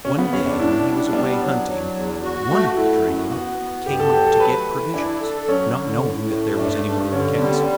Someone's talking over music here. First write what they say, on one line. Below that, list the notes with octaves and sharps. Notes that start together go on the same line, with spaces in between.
One day, when he was away hunting, one of the Draken came up to get provisions, not knowing that there was anyone in the castle.
C#3 C#4
B3
E2 C#4
D4
D4 E4
G3
B3 D4
F#3
F#3
E2
F#4
A3
F#4
A3 E4
F#2
B3 F#4
B3
G2 G4
A4
F#3 G4
A4
A3 B4
E3
D4 E4
A4
F#3 C#4
D3
A2
A3
G2 D4
G2
D3 C#4
G3 B3